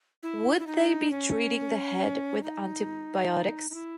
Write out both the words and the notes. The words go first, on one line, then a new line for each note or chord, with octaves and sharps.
Would they be treating the head with antibiotics?
E4
E4
D#4
C#4
D#4
D#4
E4